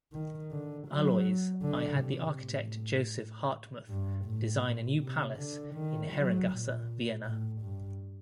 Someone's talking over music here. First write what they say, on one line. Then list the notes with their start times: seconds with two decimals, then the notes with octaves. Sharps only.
Aloys I had the architect Joseph Hardtmuth design a new palace in Herrengasse, Vienna.
0.13 D#3
0.51 D3
0.88 F#3
1.63 D3
2.00 C3
2.38 A2
3.88 G2
4.25 A2
4.63 A#2
5.01 C3
5.38 D3
5.75 D#3
6.13 F#3
6.50 A#2
7.25 A2
7.62 G2